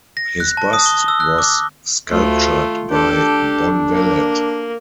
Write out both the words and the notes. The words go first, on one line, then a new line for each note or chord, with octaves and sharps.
His bust was sculptured by Bonvallet.
A#6
F#6
A5
D#6
G7
E6
F#6
D6
D2 A3 F4
D4 G4 A4
A#3 A#4